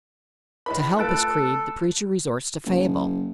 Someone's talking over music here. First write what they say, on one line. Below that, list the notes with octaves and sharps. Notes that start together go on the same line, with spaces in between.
To help his creed, the preacher resorts to fable.
A#1 E4 B4 C#5 D#5 B5
A3 F4 A4 B4 F#6 A6 D7
F#1